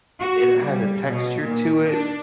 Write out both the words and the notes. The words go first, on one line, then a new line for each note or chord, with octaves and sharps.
it has a texture to it
F#4
G3
B2
A#2
D4